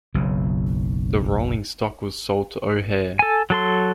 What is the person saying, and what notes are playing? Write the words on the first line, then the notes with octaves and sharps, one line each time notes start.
The rolling stock was sold to O'Hare.
F#1 B1 C#3
A4 G#5
F#3 A4 C6